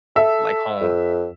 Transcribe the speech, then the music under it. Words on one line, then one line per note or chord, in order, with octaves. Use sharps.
like home
A4 E5
F2